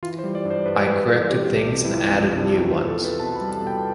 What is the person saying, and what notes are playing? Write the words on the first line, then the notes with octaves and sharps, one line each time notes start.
I corrected things and added new ones.
E3 F4
C5
G3
D5
G2
C5
G2 B4
G3 B4
E3 A4
F4
C3 G4
C2
C3
E4
C2 F4
F3 E4
C3 D4
E2 E4
F4
E2
A4
E2 B4
B2 A5
B5
G3
A5
B2 G5